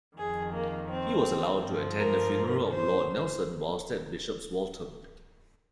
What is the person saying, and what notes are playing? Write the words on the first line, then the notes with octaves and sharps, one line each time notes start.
He was allowed to attend the funeral of Lord Nelson whilst at Bishop's Waltham.
F2 D#3 G#4
A#3
C4
G2 F3
A#4
C5